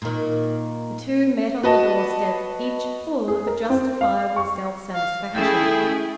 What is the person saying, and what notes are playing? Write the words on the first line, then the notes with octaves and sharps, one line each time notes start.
The two met on the doorstep, each full of a justifiable self-satisfaction.
A#2 D#3
F#4 B4 D#5 A5
G#4
A#4
C4
F5
C#6
F5
A3 C#4 E4 G#4 A4 G5